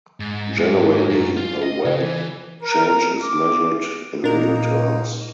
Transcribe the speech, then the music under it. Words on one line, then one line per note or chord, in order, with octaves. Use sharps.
Generally, the wealth change is measured in real terms.
G#2
G#2
F#2
F4
D#5
C#3
E3
A#4
D6
A#2 A#3 D4 D#4 A#4